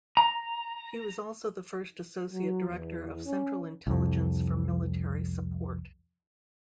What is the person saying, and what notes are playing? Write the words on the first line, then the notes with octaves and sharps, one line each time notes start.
He was also the first Associate Director of Central Intelligence for Military Support.
A#5
F#3
E2
C#4
C2 F2